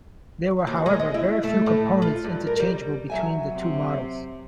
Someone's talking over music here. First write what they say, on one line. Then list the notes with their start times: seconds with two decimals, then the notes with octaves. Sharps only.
There were however very few components interchangeable between the two models.
0.67 D#2
0.86 G#3
0.99 D#5
1.14 E4
1.43 A3
1.66 A2
2.02 F4
2.24 G2
2.47 A#4
2.60 G3
3.10 F#3 E5 G#5
3.52 C3